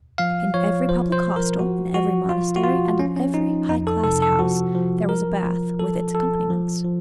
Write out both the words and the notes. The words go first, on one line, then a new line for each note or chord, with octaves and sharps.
In every public hostel, in every monastery, and in every high-class house, there was a bath, with its accompaniments.
F3 F5
F3 C#5
F3 C5
C5
F3
A#4
F3 F#4
F3 F#4
F3 F4
F#4
F3 F4
F3 C#4
C#4
F3 D#4
F2 D#4
A4
C3 A4
A4
F3 F#4
F3
F3 A#4
F3
F3 A4
F3 A4
F3
F3